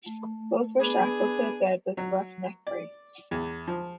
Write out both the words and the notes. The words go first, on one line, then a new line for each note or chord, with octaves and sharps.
Both were shackled to a bed with a rough neck brace.
A3
B3 D4 G#4 B4 B5
F#3
D5
E2
F3